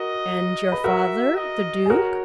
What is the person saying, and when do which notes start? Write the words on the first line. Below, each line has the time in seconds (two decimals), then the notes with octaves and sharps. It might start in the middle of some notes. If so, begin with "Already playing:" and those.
"And your father--the Duke?"
Already playing: F#4 A#4 D#5
0.72 B4
0.84 F#4 A#4 E5
1.36 D#5
1.86 G#4
1.89 F#4 A#4 C#5